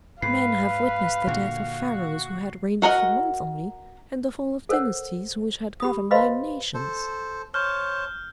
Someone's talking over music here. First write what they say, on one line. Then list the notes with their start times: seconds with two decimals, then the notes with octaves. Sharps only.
"Men have witnessed the death of pharaohs who had reigned a few months only, and the fall of dynasties which had governed nine nations."
0.22 G#2 B4 F5 C7
1.27 A#2 D3 F#4
2.82 F#4 A#4 D#5 F#5
4.69 A4 A#4 C5 C#5 F#5
5.80 G4 B5 D#6
6.11 B4 C5 D#5 F5 B5 C6
6.74 A4 C5
7.54 C5 C#5 A5 F6 G6